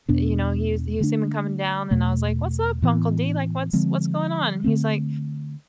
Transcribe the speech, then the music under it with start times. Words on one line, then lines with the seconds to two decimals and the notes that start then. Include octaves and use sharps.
you know, he was he was seeming coming down, and I was like, "What's up, Uncle D? Like, what's what's going on?" And he's like,
0.09 E2 B2 B3 D4
1.00 D3 A3 D4
1.91 E2 B2 A3
2.82 A2 E3 B3
3.73 D3 F3 G#3 C4
4.64 D3 A3 C4